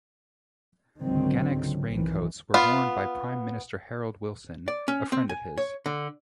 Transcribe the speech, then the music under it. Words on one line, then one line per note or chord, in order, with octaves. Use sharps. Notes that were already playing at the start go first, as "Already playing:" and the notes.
Gannex raincoats were worn by Prime Minister Harold Wilson, a friend of his.
C#2 G#2 D3 D#3 F#3 C4
C#2 D3
B1 G#2 C3 D#3 E3
B3 F4
D5
C#4
C4
G#5
C#5
D3